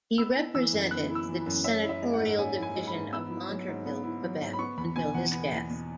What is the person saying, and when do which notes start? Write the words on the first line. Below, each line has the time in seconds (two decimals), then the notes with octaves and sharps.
He represented the senatorial division of Montarville, Quebec until his death.
0.18 B3 E6
0.36 E4
0.55 E3 E6
0.73 F#2
0.91 B3 F#6
1.09 E4
1.15 E6
1.29 E3
1.40 B5
1.46 F#2
1.64 C#4 E5
1.83 E4
1.89 E5
2.02 G#3
2.14 F#5
2.20 G#2
2.38 C#4 G#5
2.57 E4
2.63 G#5
2.75 G#3
2.87 B5
2.94 G#2
3.12 B3 E6
3.31 E4
3.49 F#3
3.68 G#2
3.86 B3
4.04 E4
4.23 F#3
4.42 G#2
4.53 B5
4.59 B3 C#6
4.78 E2 B5
4.96 B2 G#5
5.14 E2 F#5
5.32 B3
5.52 E2
5.70 B2